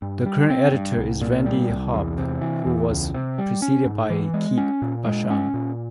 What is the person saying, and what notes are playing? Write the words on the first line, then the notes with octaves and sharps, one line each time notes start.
The current editor is Randy Harp who was preceded by Keith Bassham.
G2
G3
C4
G2
C2
A#2
G3
C2
E2
C3
E3
E2
C#2
C3
G3
C#4
G#2
E3
G#3
C#4
A#2
G#3
C#4
A#2